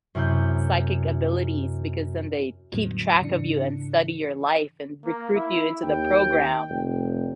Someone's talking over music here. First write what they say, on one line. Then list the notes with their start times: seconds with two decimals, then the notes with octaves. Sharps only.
psychic abilities, because then they keep track of you and study your life, and recruit you into the program."
0.15 F#2 C3 E4 D#6 G6
2.72 E2 A2 D3 F#3 G3 B3
3.21 G#2 C#3 E3 D4 C#7
5.05 A#3
5.35 E4
5.84 D#2 G5
6.69 F1